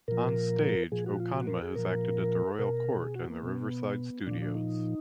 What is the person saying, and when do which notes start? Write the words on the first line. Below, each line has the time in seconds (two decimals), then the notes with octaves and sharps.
On stage, Okonma has acted at the Royal Court and the Riverside Studios.
0.08 A#2 F3 A#4
0.92 A#2 F3 G#4
1.06 F#4
1.20 F4
1.34 F#4
1.47 A#4
1.62 G#4
1.75 A#2 F3 A#4
2.59 B2 A#4
3.02 G#4
3.15 F#4
3.30 A#3
3.43 B2 B3
4.27 A#2 F3 D4
4.42 D4
4.55 D#4